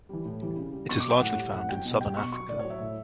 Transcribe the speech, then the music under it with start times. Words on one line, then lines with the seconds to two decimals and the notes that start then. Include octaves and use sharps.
It is largely found in southern Africa.
0.09 E3 G3
0.25 A2
0.41 E3 G3
0.57 C#3
0.73 G3
0.89 B2 C#6
1.00 F#3 D6
1.10 G5
1.21 A2 F#5
1.37 G3
1.53 A2 F#5
1.69 F#3 G5
1.85 B2
2.00 G3 G5
2.17 B2 C#6
2.32 F#3 C#6
2.48 A2 D5
2.59 C#5
2.65 F#3
2.70 E5
2.80 A2